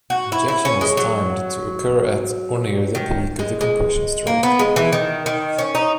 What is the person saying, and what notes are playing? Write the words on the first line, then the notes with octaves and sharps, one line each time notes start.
Injection was timed to occur at or near the peak of the compression stroke.
F#4
E4
E4
C#4
G#3
F#3
D#3
G#3
G#3
A#3
B3
G#3
E3
D#3
D#3
C#4
D#4